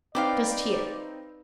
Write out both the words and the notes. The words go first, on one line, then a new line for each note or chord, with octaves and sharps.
Just here.
C4 D#4 B4 D5 F5 G5 D6